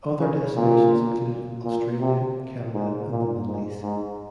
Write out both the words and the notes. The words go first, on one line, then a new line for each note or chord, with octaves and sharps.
Other destinations included Australia, Canada, and the Middle East.
C#3
A#2
A#2
C3
G#2
A#2
G#2
G#2